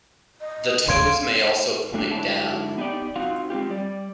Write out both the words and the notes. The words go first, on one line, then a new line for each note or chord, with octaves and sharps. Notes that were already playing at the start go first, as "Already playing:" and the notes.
The toes may also point down.
D#5
F5 C6 G#6 D7
A3 D4 F#4
G#2 D3 F#3 E4 A5
B3 D#4 G4 D5
C4 D#4 F4 F#4 F5
G#3 C4 F4 G4
G3 D5